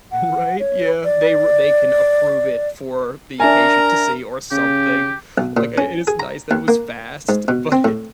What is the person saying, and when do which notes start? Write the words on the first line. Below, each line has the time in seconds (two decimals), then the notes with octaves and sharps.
Right? Yeah, they r they can approve it for the patient to see or something. Like, uh, it is nice that it was fast, but
0.12 F#5
0.60 C#5
1.05 D5
3.40 D4 A#4 E5 G#5 A#5
4.51 C#3 G4
5.38 B1
5.57 A#2
5.78 C#4
6.07 G#4
6.20 A#5
6.51 D#2
6.68 A#3
7.29 G#2
7.48 B2
7.72 C4
7.84 A2